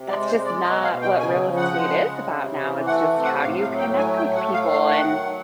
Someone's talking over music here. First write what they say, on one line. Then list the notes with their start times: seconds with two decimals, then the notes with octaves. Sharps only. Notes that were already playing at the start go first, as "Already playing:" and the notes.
"That's just not what real estate is about now. It's just how do you connect with people and,
Already playing: C3
0.09 G#3 D5
0.27 C5
0.36 G#3
0.45 D5
0.63 B2 D#5
0.83 F5
0.92 B2
1.01 G5
1.19 C#3 G#5
1.48 F3
1.57 F#5
1.75 G#3
2.03 C#3
2.31 C3
2.59 E3
2.86 A3 F#5
3.14 C3
3.24 F#5
3.42 A2 F5
3.61 F5
3.70 F#3
3.79 G5
3.97 A3 G#5
4.16 G5
4.25 A2
4.35 F#5
4.53 A3 F5
4.72 F5
4.82 D#3
4.90 F#5
5.09 F#3